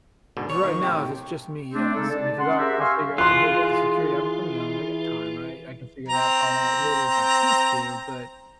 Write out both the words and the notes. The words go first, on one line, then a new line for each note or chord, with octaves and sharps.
right now, if it's just me, yes, I mean, 'cause I'll I'll figure I can make up the security, I'm I'm young, I got time, right? I can figure that part out later if I have to, but,
G#2 B2 D3
C#5 C#6
D#2 D#3 F3
A2 C3 G5
A3 C4 D4
C#3 G#3 D#4 A4
D5 A5
C#4 F#5 C6
G4 G#4 A#4 C5 E5
F5 G#5 C6 C#6 E6 F6
E3 G#3 F4 C6 F#6
C4 A#5